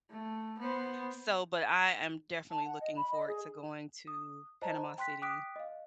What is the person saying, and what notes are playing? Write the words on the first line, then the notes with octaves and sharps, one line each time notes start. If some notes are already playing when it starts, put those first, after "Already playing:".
So But I am definitely looking forward to going to Panama City.
A3
B3 C5
A5
F#5
D#5
B5
D#5
G#4
D#6
C5 D#5 A5 A#5
G5 C6 F#6 B6
G5 D6 D#6 F#6 B6 D7
D#5 F5